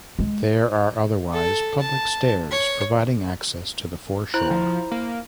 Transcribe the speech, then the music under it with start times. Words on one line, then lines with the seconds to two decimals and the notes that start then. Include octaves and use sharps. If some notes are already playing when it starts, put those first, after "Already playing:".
There are otherwise, public stairs providing access to the foreshore.
0.19 G#3
1.33 A4
1.80 A5
2.51 C#5
4.34 E4 C5 A#5 F#6
4.51 F3
4.91 A#3